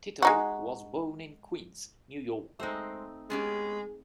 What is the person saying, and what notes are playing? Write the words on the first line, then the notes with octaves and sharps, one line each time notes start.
Tito was born in Queens, New York.
G#3 D#4 F#4
G#3 A3 C4 D#4 C5
G#3 B3 C#4 G4 G#4